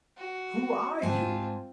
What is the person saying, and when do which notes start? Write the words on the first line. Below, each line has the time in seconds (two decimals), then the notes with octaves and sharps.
"Who are you?"
0.17 F#4
1.02 G#2 C4 F4 G#5 A5